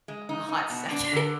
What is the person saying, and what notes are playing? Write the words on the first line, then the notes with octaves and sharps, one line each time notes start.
a hot second,
G#3
D#4
D#4
B2
D4
D3